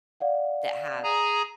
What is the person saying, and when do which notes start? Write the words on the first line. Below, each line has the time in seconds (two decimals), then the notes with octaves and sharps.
that have
0.20 D5 F5 F#5
1.04 G#4 G#5 A#5